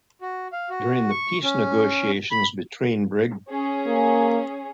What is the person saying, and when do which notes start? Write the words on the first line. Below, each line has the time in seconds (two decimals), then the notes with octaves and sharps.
During the peace negotiations between Brig.
0.21 F#4
0.52 F5
0.70 F#4
1.10 C#6
1.44 C#4
2.31 B5
3.50 C#4 G#4
3.86 A#3